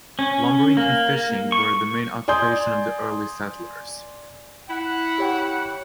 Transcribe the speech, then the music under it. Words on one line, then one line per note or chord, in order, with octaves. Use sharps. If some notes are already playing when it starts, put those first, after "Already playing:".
Lumbering and fishing were the main occupations of the early settlers.
C#4
A#3
C#6
D5 G#5 C6 D#6 G6
E4 F#5
G4 C#5 G5